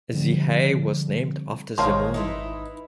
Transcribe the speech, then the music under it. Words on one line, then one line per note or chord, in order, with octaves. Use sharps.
The Hay was named after The Moon.
D3 F3 G3 C4
G#1 D#3 G#3 C5 C#5 F5 A5 C6
D#4 E4 B4